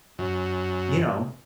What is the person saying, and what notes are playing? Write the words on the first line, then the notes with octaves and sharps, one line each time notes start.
you know,
F#2